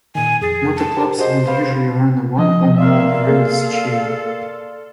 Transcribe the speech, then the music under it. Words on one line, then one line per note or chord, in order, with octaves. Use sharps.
Motor Clubs will usually run one or more rallies each year.
A#2 D#3 G#5
F2 G#4 A6
A5
G4 A#4 C5
F#4 G#4 C5 D#5
B4 F5 B5
F3 D#5
A#3 D5 E5 F5 C6 F6
A#3 G#4 A4